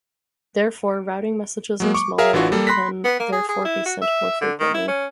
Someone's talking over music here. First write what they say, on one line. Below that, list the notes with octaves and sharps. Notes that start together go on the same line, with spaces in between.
Therefore, routing messages are smaller, and can therefore be sent more frequently.
F#3 G#3 A#3
C#6 D6
G#4 A#4 E5 F5
A1 E3 D4 F4 F#4
G3 A#3 A4
B5 C6 F#6 A#6 B6
B3
A#3
G#4
G#4
E4
F#4
E5
D3
D#3
E4
C#4